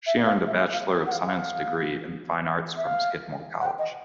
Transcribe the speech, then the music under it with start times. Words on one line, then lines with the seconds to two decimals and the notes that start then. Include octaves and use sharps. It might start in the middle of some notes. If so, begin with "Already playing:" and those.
She earned a Bachelor of Science degree in Fine Arts from Skidmore College.
0.07 E5
0.26 F5
0.47 E5
0.60 F5
0.73 F5
1.07 F#5
1.12 F5
1.26 F5
2.77 E5
2.85 F5
3.61 F#5
3.66 G5
3.79 D#5